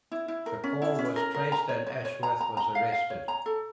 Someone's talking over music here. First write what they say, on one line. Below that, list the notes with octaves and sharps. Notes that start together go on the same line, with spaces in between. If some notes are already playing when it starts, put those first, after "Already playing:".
The call was traced and Ashworth was arrested.
E4
E4
A#4
C#4
E4
C#4
A#4
A#4
A#5
C#5
C#5
C#5
A#5
A#5
A#5
F5
F5
C#5
A#5
A4